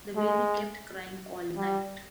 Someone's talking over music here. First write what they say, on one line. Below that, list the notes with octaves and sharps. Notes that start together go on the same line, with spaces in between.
The baby kept crying all night.
G#3
G3